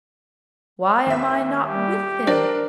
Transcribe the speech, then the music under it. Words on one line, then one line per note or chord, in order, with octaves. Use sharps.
Why am I not with him?
D#2 E5
G3 G4
D4 A#4 C5 D5